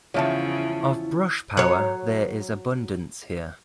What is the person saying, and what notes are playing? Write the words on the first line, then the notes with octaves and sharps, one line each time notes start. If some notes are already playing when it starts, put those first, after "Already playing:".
Of brush-power there is abundance here.
E2 G2 C#3 F3 E4 C#5 E5 A5
F#3 C#5